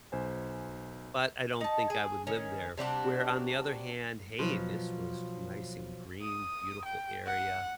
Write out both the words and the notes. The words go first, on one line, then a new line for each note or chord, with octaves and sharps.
but I don't think I would live there." Where on the other hand, "Hey, this was nice and green, beautiful area.
B1 C5 G#5
D#4 A5
G#4
D#3 C#4
C3 G3 D4 F#4
B2 F3 F#3
D#6
G5
F#5